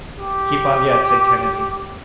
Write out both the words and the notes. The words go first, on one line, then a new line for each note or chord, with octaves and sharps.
"Keep on yet," said Kennedy.
G4